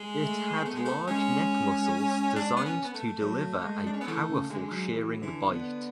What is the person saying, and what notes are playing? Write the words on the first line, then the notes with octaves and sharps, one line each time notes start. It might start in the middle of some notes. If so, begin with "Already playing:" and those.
It had large neck muscles designed to deliver a powerful shearing bite.
Already playing: G#3
A3
A3 B3
G#3
A3
G#3 C#4
D4
B3
C#4
B3
A3
F#3 A3
G#3
D4
C#4
B3
E3 A3
C#3
D3 G#3
F#3
E3 F#3
D3 E3
D3 B3